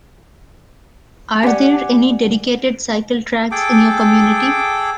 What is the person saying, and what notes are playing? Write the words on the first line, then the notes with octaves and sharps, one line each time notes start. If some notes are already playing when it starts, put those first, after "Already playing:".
Are there any dedicated cycle tracks in your community?
G4 D5 F#5 G#5
G#4 A4 G5 D6